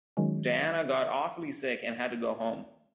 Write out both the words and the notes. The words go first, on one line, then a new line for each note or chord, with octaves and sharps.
Diana got awfully sick and had to go home.
D#3 F#3 G#3 C#4